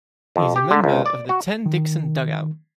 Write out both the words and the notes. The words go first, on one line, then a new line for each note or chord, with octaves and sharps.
He is a member of the Tenn-Dixon Dugout.
F2
G4
D3
C#2
D5
F#4
D#3